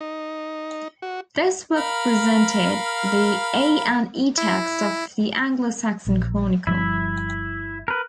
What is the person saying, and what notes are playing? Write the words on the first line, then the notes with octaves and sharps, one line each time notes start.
This work presented the A and E texts of the "Anglo-Saxon Chronicle".
D#4
F#4
A#4 F5 B5
E4
A#1
G1 F3 G3 E4 E5
A#4 B4